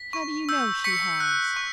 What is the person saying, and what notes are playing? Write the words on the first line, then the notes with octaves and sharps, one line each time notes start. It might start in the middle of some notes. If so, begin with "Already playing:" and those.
"How do you know she has?"
Already playing: B6
C#6
E6 G6
C#6 B6 C#7
F#6
C#6